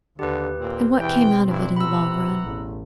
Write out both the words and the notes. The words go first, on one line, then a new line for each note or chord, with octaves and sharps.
'And what came out of it in the long run?'
D#2 D3 G4 B4
A#2 A#3 C4
B2 E3 C4 G5
G2 D4 E4
C3 E3 F#5 A#5 B5 E6
A1 E2